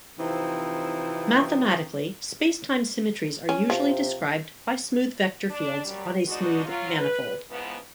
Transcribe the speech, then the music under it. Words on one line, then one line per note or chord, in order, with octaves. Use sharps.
Mathematically, spacetime symmetries are usually described by smooth vector fields on a smooth manifold.
C3 E3 F3 C4 D#4 E4
C#4
C3 F3
D4
F#2 F#3 G3
B2 G#3 D4 D#4 F#4
F#3 F4
B4
G#2 C#3 E3 F3 B3